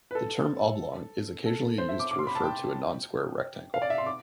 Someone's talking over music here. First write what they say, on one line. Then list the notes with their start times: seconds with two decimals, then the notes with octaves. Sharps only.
The term oblong is occasionally used to refer to a non-square rectangle.
0.11 B4
0.15 A4
1.46 A4
1.78 C5
1.89 E5
2.00 D6
2.11 D6
2.19 C6
2.27 B5
2.35 A5
2.43 G5
3.74 F5
3.82 D5
3.90 E5
3.98 C6
4.06 D6